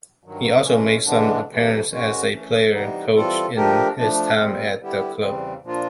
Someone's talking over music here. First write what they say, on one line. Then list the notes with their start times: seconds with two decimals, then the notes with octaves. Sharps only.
He also made some appearances as a player-coach in his time at the club.
0.23 G2 D#3 F#3
0.64 E3 G#3 C#4
1.06 C#3 E3 G#3 B3 D4
1.48 D2 C3 E3 A3
1.90 G#2 D#3 G#3 C#4 F#4
2.31 E3 A3 C#4
2.71 C3 E3 G3 B3 D#4
3.13 E3 G3 C4 F4 A4
3.55 F3 A3 D4 G4 A#4
3.97 F3 A3 D4
4.38 A#2 G3 C4
4.80 D3 G3 B3 E4 G4
5.20 E2 C#3 E3 G3 C4
5.62 A#2 F3 A#3 D4 F4